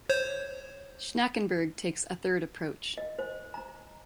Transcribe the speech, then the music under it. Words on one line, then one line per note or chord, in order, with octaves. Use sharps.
Schnackenberg takes a third approach.
C5 C#5
D#5
C5
A#5